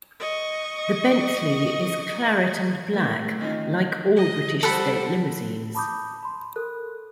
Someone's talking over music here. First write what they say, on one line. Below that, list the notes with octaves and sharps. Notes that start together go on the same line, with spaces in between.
The Bentley is claret and black like all the British state limousines.
D#5 C#6
A3 A#4 E5
D#3 C4 C#4 D#4 F4
D#5
G3 A4 C5 F#5 B5
A5 B5 D6 D#6 G6
B5 C6
A4 A#4 F#6